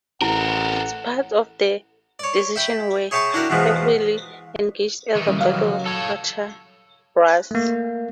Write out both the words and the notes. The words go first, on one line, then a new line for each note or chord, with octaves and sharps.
Parts of the division were heavily engaged at the Battle of Quatre Bras.
A1 E4 A4 A#4 F#5
C#5 D5
E5 G5 B5
G#4 C#5 E5 G5 A5 C#6
D4 E4 F#4 G4 A#4
E2 B2 E3 F3 G#3
D#3 E3
A1 C#3 G3 A#3
F#3 F5
A4 C#5
A3 A#3